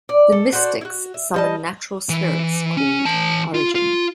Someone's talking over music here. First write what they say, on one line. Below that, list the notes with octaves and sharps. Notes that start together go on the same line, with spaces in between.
The Mystics summon natural spirits called "Origin".
D5
A4
F#4 A4 C5 D5
E4 F#4
E5
G3 D#5 A5
E3
C#4
E3 A5
F4
F4